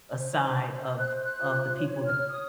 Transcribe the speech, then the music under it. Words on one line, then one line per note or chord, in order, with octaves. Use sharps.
a side of of the people that
C5
C5
C5 F#6
F#6
F4
C#5
F6
C#5
D#6